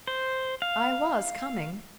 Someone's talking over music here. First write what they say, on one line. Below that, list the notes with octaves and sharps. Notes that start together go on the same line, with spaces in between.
"I was coming."
C5
F5